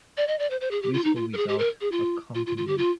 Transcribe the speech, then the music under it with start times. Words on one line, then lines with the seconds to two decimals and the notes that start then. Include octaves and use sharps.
With or without accompaniment.
0.17 D5
0.27 D#5
0.39 D5
0.50 C5
0.61 C5
0.71 G#4
0.82 G4
0.93 F4
1.04 D#4
1.16 F4
1.33 A#4
1.37 G#4
1.48 G4
1.58 A#4
1.81 G#4
1.92 F4
2.35 F4
2.46 F4
2.57 F4
2.67 G4
2.78 F4